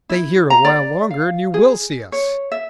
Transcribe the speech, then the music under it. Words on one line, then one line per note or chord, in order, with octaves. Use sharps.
"Stay here a while longer and you will see us!"
E4
A#5
D5
F5
G#4
C#5
E5